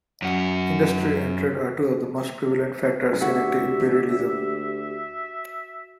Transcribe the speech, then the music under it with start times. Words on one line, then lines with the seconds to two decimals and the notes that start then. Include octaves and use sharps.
Industry and trade are two of the most prevalent factors unique to imperialism.
0.22 F#2 F#4
3.21 D2 F#4 G4 E5